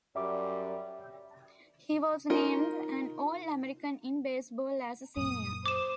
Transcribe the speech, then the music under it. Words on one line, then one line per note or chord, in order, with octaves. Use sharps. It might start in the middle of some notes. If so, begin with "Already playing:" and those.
He was named an All-American in baseball as a senior.
F#2 G3 D5 E5 D6
D#4 F4 A#4
F#2 A#2 D#6
C5 D6 E7